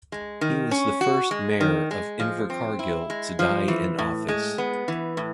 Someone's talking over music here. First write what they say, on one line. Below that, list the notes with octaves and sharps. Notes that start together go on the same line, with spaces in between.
He was the first Mayor of Invercargill to die in office.
G#3
D#3
C#4
F#4
G#3
D#3
G#3
F3
C4
E4
G#3
F3
E3
A2
G#3
B3
E3
A2